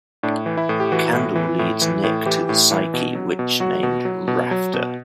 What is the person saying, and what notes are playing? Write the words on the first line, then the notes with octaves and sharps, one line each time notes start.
Candle leads Nick to the Psyche witch named Rafter.
A2 D4
E3
E4
A2
G4
E3 F#4
A2
E3
A2
E3
A2
E3 G4
A2
E3
B2
F#3
B2
F#3 F#4
B2
F#3
B2
F#3
B2